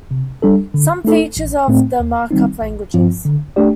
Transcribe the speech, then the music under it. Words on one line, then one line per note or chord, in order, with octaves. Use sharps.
Some features of the markup languages.
C3
G3 D4 A4
D3
A3 D#4 A4
A1
A2 A3 C4
D#2
D#3 G3 C4 D#4
A1
G2 F3 C4 F4
D3
A3 D4 G4 D5